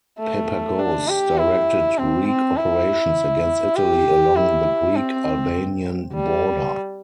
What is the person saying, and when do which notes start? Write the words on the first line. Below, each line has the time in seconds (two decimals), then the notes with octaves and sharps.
Papagos directed Greek operations against Italy along the Greek-Albanian border.
0.19 A3
0.79 D4
1.08 G4
1.38 E4
1.98 C4
2.27 C4
2.57 E4
3.76 G4
4.36 E4
4.95 C4
6.15 G3